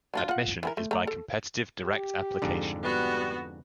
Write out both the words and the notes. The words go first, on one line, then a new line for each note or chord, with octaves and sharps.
Admission is by competitive direct application.
F#3 D4 F4
F4 F#5
E3 C4 A#4
A3
A3 A#5
A4
G4
F2 G#2 D3
G3 B3 F#4